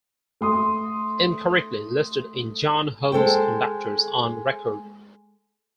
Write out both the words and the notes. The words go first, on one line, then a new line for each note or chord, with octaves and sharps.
Incorrectly listed in John Holmes's Conductors on Record.
A3 C6 D#6
G#3 A4 C5 G5